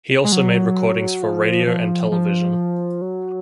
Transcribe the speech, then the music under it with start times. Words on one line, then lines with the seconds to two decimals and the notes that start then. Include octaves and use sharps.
He also made recordings for radio and television.
0.24 G#3
0.32 F#3
1.23 F3
1.67 F3
2.12 F3
3.02 F#3